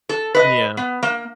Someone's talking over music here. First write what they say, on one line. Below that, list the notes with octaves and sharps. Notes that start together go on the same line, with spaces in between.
N yeah.
A4
B4 D#5
B3
A#3